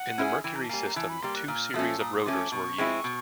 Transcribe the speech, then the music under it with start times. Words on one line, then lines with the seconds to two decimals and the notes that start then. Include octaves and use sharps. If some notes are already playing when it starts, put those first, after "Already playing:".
In the Mercury system, two series of rotors were used.
Already playing: F#5
0.18 C#4 E4 G#4
0.44 E3 G5
0.55 A#5
0.63 A5
0.69 G3 A#3 G#5
0.87 A#5
0.96 E3 A5
1.09 B5
1.22 G3 A#3 C6
1.35 F#6
1.48 A#2 F6
1.74 F3 A3 C#4 E6
1.88 E6
2.00 A#2 D#6
2.18 D#6
2.26 F3 A3 C#4 D6
2.52 B2 C#6
2.78 G#3 C4 E4
3.04 B2